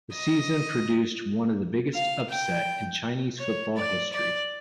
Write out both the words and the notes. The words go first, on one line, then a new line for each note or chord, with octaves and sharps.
The season produced one of the biggest upset in Chinese football history.
D#5
F5
G5
C#5
D5
D5